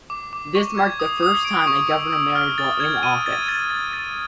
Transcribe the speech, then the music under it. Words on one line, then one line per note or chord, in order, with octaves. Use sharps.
This marked the first time a governor married while in office.
D6
D6
C#6
G#6
D#6
D#6
D7
C#6
E6
E6
F6
A6
G#6
D#7
A6
A6
A6
A6